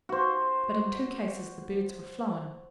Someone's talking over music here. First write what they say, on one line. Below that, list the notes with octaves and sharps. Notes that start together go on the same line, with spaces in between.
But in two cases the birds were flown.
F#4 C5